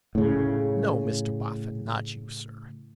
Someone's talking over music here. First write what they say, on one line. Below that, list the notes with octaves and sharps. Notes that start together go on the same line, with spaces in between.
'No, Mr Boffin, not you sir.
A2 C#3